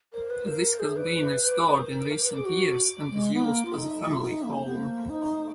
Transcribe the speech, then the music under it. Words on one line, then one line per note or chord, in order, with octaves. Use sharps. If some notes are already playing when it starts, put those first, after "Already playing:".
This has been restored in recent years and is used as a family home.
A#4
B4
A#4
G#4
B4
B4
A#4
B4
A#4
G#4
F#4
G#3
B3
A#3
F4
D#4
F4
D#4
A#3
B3
A#3
D#4